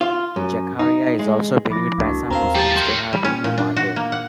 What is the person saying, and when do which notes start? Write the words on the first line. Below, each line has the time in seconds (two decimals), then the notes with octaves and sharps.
Zechariah is also believed by some Muslims to have been a martyr.
0.01 F4
0.36 F#2
0.79 D#4
1.19 G#3
1.70 F3 E4 D6 A#6
1.98 C#2 A#3 D4 F#4
2.31 D#2 C4 A#4 F5 A#5
2.55 F3 G4 A5
2.76 F#4 A#4 C6 G6 C#7
3.13 G3
3.25 C#4
3.44 A#2
3.58 D4
3.76 F#4
3.96 A#3
4.12 F#5